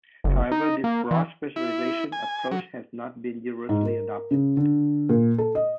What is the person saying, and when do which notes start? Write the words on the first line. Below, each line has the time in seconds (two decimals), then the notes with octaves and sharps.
However, this "broad specialization" approach has not been universally adopted.
0.24 F#1
0.52 D#4
0.84 A#3
1.11 E3
1.56 E4
2.12 G#5
2.51 F#3
3.69 G#2
3.85 A#4
4.31 C#3
4.57 D3
5.09 A#2
5.38 A4
5.55 D#5